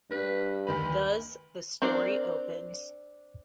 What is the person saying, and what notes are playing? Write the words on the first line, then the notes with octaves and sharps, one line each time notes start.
Thus, the story opens.
G2 G3 B4
D2 D#3 B4 B5
C4 D4 A#4 C5 D5